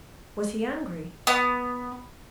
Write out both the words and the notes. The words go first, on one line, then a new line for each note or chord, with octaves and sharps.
Was he angry?
B3